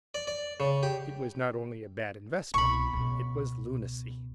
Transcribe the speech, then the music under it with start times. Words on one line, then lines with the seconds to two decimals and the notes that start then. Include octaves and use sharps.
It was not only a bad investment, it was lunacy.
0.14 D5
0.27 D5
0.60 C#3
0.83 G4
2.54 C2 B2 B5 C#6
2.93 C#2 B2